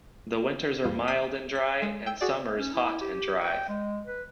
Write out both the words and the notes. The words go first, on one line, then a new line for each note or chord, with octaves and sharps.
The winters are mild and dry and summers hot and dry.
E2 G#2 G3 F4
D#6 F6 B6
B6
G#3
G5 E6
F#4 G#4 D5
C#4
E4
G4
G5
G#3
B4